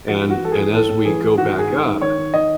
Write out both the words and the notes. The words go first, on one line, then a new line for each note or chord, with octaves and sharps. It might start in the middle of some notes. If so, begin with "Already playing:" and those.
and and as we go back up,
E3 F#4
E3
F#4
E3 A4
E3 G#4
A2 A4
A2
E3 G#4
E3
D#3 F#4
G#2
G#4
G#2
D#3
D#3 C#5
D#3
D#3 D#5